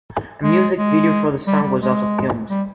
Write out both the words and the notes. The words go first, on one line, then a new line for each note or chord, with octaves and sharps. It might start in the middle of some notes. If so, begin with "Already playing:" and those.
A music video for the song was also filmed.
G#3
G#3
G3
G3
G#3
G3